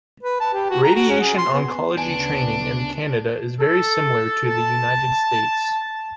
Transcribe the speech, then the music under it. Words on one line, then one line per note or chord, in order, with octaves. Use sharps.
Radiation Oncology training in Canada is very similar to the United States.
B4
A5
G4
F#4
A#5
F#4
C#4
G#4
C6
B3
D2 C#3 B3 D4 G#5
A4
A5